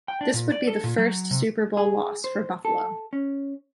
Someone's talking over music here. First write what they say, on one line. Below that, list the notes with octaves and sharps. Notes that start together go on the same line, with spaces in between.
This would be the first Super Bowl loss for Buffalo.
G5
D4
A#2
D5
A4
A#2
F#3
C3
G#4
C5
A4
C#4